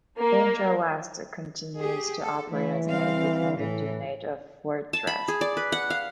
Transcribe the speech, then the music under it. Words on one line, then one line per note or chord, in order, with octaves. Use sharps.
Intrawest continues to operate as an independent unit of Fortress.
A#3
G4 G#4
A4
E3 A3 E4
G3 C4 F5
A2 E3
A5
B5
G#4
D5
B4
F#5
F5